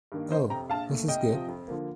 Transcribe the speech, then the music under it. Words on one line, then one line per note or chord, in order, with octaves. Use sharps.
Oh! This is good.
G2 D#3 A#3
G1 C5 D#5
F2 C3 G5 A#5
A#1 F5 A5
A#2 A3
C2 D#5 G5
C3 F3
F2
D3 F3 A#3